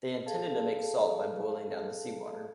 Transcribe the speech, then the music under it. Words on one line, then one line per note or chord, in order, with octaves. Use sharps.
They intended to make salt by boiling down the sea water.
G#4 A4 F5 A5